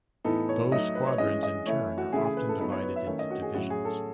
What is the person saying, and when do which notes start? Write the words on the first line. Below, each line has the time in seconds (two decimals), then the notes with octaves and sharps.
Those squadrons in turn are often divided into divisions.
0.24 A2 E3 B3 D#4 A4
0.49 C#5
0.72 F#3 A3 D#4 D#5
0.95 B4
1.07 C#5
1.18 E3 G#3 C#4 D#5
1.43 D#5
1.66 E3 A3 E4 C#5
1.98 F#4
2.13 C#3 E3 A3 E4 G#4
2.24 G#4
2.37 B4
2.49 A4
2.60 F#3 B3 D#4
2.72 C#5
2.84 B4
2.96 E5
3.07 D#3 A3 C#4 E5
3.19 D#5
3.31 F#4
3.42 G#4
3.55 A2 F#3 C#4 E4 F#4
3.70 G#4
3.85 A4